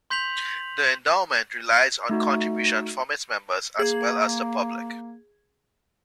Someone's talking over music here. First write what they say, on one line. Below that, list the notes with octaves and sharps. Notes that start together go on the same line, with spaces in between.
The Endowment relies on contributions from its members, as well as the public.
C6 G6 B6 F7 F#7
A3 D#4 F#4
A#3 G#4 G#6